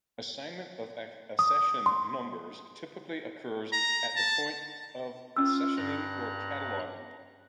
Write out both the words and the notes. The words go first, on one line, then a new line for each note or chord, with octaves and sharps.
Assignment of accession numbers typically occurs at the point of accessioning or cataloging.
D#6
C6
A#5
A5
C#4 F4 E6
G2 A#5 F#6